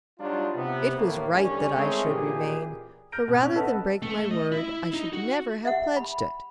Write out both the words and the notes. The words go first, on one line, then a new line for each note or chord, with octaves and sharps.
It was right that I should remain, for rather than break my word, I should never have pledged it.
F#3 G3 D4 D#4 F4
C3 B3
D#2 A2 A3 A#3
E2 D3 G3 C#4
D#3 G#3 A3 C4 C#4
A1 A#2 E3 A#3 G4 G#4
F6 G6 A#6 D7
B2
C#4
A4 B4 D#5 F#5 A5
A3
D#5
E4
D#4
F#4
E5 F#5
B5